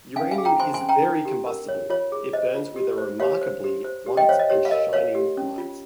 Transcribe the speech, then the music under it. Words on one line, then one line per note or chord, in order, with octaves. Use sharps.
Uranium is very combustible; it burns with a remarkably white and shining light.
C#4 F5 G#5
F5 G#5
G#4
G5 A#5
C5 G#5 C6
G#5 C6
C#4
G5 A#5
D#4
G4
A#4
C#5
F4 C#5
G#4
C5 D#5
F4
G4
C5
G4 C#5 F5
C5
G4
C5
G4
D#5 G5
C5 C#5 F5
D#5
G4 C#5
F5
A#4 D#5
C#5 F5
G4
C#4
F4